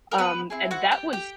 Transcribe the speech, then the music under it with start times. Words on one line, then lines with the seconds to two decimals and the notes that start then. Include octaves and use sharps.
Um, and that was
0.11 A#4
0.18 B3 B4
0.50 C4 E4 G#4
0.71 F#4 F#5
0.92 G4 G5
1.13 G4 G5